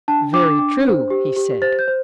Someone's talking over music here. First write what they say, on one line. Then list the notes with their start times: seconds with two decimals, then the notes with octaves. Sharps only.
Very true, he said.
0.08 D4 A5
0.33 D4 D6
0.59 D4
0.85 C5
1.10 G4
1.37 G4
1.62 C5 A6
1.79 G6
1.88 C5